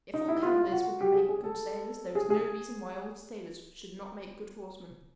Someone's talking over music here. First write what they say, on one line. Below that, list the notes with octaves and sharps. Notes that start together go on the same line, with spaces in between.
If all cavaliers wouldn't make good sailors, there is no reason why all sailors should not make good horsemen.
D#4
E4
F4
F4
F#4
G4
G#4
G#4
A4
G#4
G#4